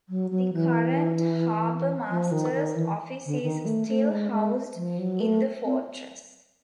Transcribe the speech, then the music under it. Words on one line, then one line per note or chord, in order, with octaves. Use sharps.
The current harbor master's office is still housed in the fortress.
F#3
F#3
E3
F3
D#3
D#3
E3
D3
D#3
A3
A3
G#3
G#3
F3
F#3
A3
C4